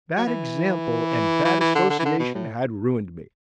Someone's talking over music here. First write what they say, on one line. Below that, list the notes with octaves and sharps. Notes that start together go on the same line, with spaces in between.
Bad example and bad association had ruined me.
F#3
E3
E3
E3
D3
D3
E3
D3
B2
A2